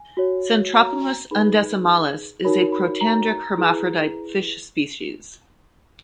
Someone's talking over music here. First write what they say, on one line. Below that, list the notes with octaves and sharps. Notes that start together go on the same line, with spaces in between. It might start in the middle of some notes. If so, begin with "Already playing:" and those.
"Centropumis undecimalis" is a protandric hermaphrodite fish species.
Already playing: G#5
F#4 C#5
A#5
D#4 G#4 B4 B5
D#4 F#4 A#4 C#5 B5
B5
A#5
E4 G#4 B4